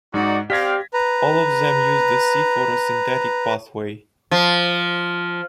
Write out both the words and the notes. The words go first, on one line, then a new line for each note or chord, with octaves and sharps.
All of them use the C photosynthetic pathway.
G#2 D#4 F#4 D5
C4 G4 D5 F5 G#6 A#6 B6
B4 A#5
F3